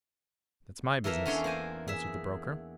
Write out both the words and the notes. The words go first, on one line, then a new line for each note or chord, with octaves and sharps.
"That's my business," answered the broker.
E3 A4 A#4 E5 F5
E2 C#4 D4 C#5 C6
A#3 C5 G#5
G#4 E5